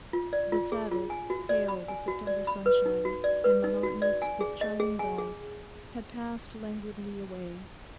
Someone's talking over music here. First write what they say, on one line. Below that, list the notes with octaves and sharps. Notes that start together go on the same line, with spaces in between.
The Sabbath, pale with September sunshine, and monotonous with chiming bells, had passed languidly away.
F4
D5
F4
G#4
F4
G#5
F#4
D5
B5
G#5
F#4
D5
B5
B4
D#4
F#4
D5
B4
D#4
F#4
D5
G#5
G#4
D#5
G#4
G#5
G#4